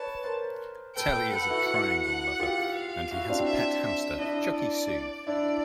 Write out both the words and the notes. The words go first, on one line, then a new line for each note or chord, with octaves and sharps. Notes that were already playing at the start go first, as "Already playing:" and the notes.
Telly is a triangle lover, and he has a pet hamster, Chuckie Sue.
Already playing: B4 C#5 A5
A#4 C5
A4 B4 G5
A4 B4 F#5
E4 F#4
F#5
F4 G4
F5
E4 F#4
C4 D4
E5
E5
D4 E4 D#5
D5
D4 E4 D5